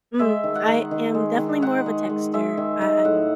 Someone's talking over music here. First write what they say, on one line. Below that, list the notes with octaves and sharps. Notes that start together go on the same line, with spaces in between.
Mm, I am definitely more of a texter. I I'm
G#3 E5
D#3
F#5
D#3
D#3
G#3
D#3
D#3 F#5
G#3
G#3
G#3 E5
D#3
D#3
A2 F#5